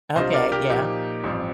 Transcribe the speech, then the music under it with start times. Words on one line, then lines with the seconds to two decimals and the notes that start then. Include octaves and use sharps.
Okay, yeah.
0.16 C2 C3 G3 D4 F4 C5 D#5
0.34 A#4 D5
0.52 G4 A#4
0.70 A#2 F3 A#3 D#4 G4
1.24 A1 G2 F3 C4